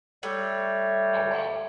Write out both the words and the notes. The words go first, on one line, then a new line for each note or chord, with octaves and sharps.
Oh, wow.
G3 A3 C#5